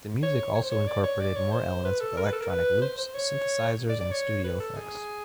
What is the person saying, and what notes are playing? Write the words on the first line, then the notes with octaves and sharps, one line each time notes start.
The music also incorporated more elements of electronic loops, synthesizers and studio effects.
C#5
C#5
C5
C#5
D5
C#5
D5
C#5
C5
B4
A4
A#4
B4
A4
A#4
B4
C5
C5
C#5
D5
D5
C#5
B4
A4
G#4